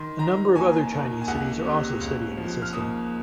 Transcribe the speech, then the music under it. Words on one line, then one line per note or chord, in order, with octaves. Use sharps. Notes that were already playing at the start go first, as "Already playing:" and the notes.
A number of other Chinese cities are also studying the system.
Already playing: D#3 C6
D#3 A#5
D#2 G#5
D#2
G#5
C#2 F#5
C3
C#2
F3
F6
D#2 D#6